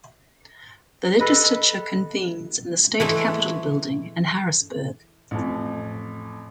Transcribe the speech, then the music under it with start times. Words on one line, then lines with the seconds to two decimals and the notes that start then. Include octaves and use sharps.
The legislature convenes in the State Capitol building in Harrisburg.
1.19 A4 B4 D#5
3.00 E3 G#3 A3
5.31 A1 F2